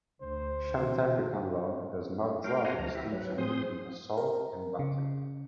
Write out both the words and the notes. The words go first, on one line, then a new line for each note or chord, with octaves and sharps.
South African law does not draw the distinction between assault and battery.
D2 C5
B2 D3 E3 F#4
G#3 A3 F#4 A#4 F5 G5
B4 C5 F#5 G#5 A#5 C6
D2 F3 A#4 A#5
E4 G4 E5
F#3 B4
A2 C4 G#4 C5 C6 D#6
A#4
C#3